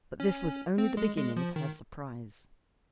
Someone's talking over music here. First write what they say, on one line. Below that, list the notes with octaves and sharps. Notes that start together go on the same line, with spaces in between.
But this was only the beginning of her surprise.
C#4
C4
G#3
G#3
F3
D#3